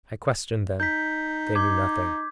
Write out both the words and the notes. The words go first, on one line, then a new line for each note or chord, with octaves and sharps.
I questioned them. They knew nothing.
D#4 G6 B6
D#4 D6 G#6